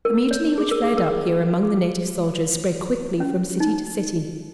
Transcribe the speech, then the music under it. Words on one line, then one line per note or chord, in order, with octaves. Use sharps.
The Mutiny which flared up here among the native soldiers spread quickly from city to city.
A#4
C#5
G#4
A#4
G#4
A#4
G#4
G#4
C#4
D#4